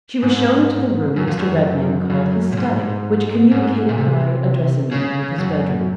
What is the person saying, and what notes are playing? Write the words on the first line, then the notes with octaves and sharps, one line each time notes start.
She was shown into the room Mr. Redmain called his study, which communicated by a dressing-room with his bedroom.
G#2
F#2
F2
F#2
F#2
A#2
G#2
G#2
A#2
C3
C#3
F#2